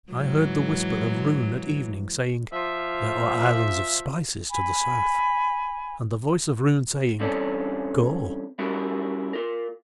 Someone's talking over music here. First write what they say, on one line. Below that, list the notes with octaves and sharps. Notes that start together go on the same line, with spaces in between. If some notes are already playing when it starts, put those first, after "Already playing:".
I heard the whisper of Roon at evening, saying: "There are islands of spices to the South," and the voice of Roon saying: "Go."
G#2 E3 F#3
F3 E5
G#5 B5
G2 E3 C4 C#4 A4 D5
G3 C#4 E4 F#4 G4 A#4
F4 A#4